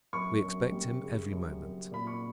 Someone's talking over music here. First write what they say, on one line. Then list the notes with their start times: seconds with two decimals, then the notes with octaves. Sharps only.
"We expect him every moment."
0.13 F#2 C#6
0.42 F#2
0.72 G3
1.02 C#3
1.32 F#2
1.62 F#2
1.91 A#2 B5
2.07 C#6